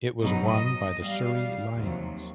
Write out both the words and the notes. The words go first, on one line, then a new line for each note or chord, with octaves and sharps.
It was won by the Surrey Lions.
G#2 B2 F#3 B3 D#4
D#5
G3 F5
D#2 C3 F3 F#3